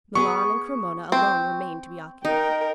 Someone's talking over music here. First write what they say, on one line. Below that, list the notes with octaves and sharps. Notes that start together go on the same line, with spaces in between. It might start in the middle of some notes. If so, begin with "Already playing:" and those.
Milan and Cremona alone remained to be occupied.
B3 G#4 C#6
C4
D#4 A#4 G5